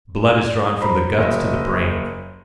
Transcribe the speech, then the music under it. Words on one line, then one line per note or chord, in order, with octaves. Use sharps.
Blood is drawn from the guts to the brain.
C5 A#5 B5
F#1 C#5 D#5 E5